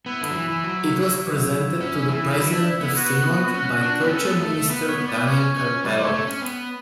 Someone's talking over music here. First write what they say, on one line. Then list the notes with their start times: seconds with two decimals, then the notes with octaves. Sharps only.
It was presented to the President of Finland by Culture Minister Tanja Karpela.
0.06 B3 E4
0.22 D3
0.30 F#3
0.35 E3
0.50 E3
0.64 F#3
1.22 E4
1.80 C#4
2.08 E3
2.37 F#3
2.53 D4
2.80 B3
2.96 F#4
3.54 C#4
3.82 D4
4.00 B3
4.07 G4
4.10 C#4 A4
4.25 B3
4.39 A3
4.54 A3
4.68 B3 B4
4.88 C#5
4.98 B3
5.08 D5
5.27 C#4 C#5
5.55 C#4
5.84 G3 D5
5.98 A3
6.03 C#5
6.14 A3
6.27 C#4
6.42 B3